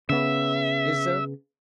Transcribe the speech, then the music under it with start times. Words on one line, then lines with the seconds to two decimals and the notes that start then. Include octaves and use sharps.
Is there?
0.09 C#3 B3 E5